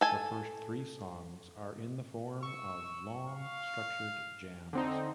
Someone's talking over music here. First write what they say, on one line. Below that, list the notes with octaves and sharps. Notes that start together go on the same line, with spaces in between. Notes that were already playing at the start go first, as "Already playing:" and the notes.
The first three songs are in the form of long, structured jams.
A4 G#5
C#6 E6
F5
D3 C4 D#4